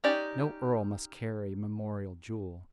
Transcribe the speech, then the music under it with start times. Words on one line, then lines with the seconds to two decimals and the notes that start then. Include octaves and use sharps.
No earl must carry memorial jewel.
0.04 C#4 D#4 G4 D5